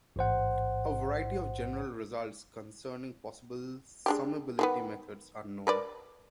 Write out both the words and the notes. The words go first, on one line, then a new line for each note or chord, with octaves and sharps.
A variety of general results concerning possible summability methods are known.
A1 G#2 C5 F#5
G#3 D4 G4
D#3 G#3 B3
A#4 B4 D5